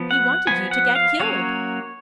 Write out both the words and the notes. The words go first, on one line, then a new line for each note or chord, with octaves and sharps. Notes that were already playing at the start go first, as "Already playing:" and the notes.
He wanted you to get killed.
Already playing: F3 B3
F#5
F3 B3 G#5
F#5
F5
F#3 A#3 C#4 C#5